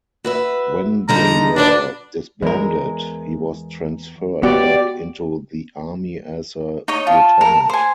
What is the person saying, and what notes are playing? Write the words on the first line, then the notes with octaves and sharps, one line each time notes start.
When they were disbanded, he was transferred back into the Army as a lieutenant.
F#4 B4 E5
D3 G3 D#4 A#5
D4 F#4 B4 D5
E2 G#3 A#4
C#2 B3 F#4 G4 D5
D#4 C#5 D#5
F4 A5
A#4
C5 G#5